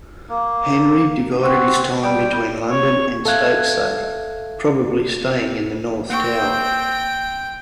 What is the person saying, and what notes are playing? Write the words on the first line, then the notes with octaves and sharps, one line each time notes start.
Henry divided his time between London and Stokesay, probably staying in the north tower.
A#3
C4 F#4
G3 G5
C#5
A4 E5 F5 F#6 G#6
A#3 C4 G5 C#6